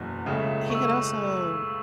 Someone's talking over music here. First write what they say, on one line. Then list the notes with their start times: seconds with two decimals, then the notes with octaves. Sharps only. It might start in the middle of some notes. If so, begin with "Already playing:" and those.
he could also
Already playing: F#1 E2 B2
0.26 C#2 C#3 A3
0.70 C#6
0.75 E6